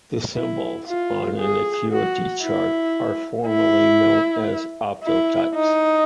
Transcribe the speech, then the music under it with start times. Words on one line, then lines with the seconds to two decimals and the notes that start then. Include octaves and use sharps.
The symbols on an acuity chart are formally known as "optotypes".
0.35 E4
0.88 F4
1.40 G#4
1.91 F#4
2.43 E4
3.48 E4
5.03 E4
5.55 D#4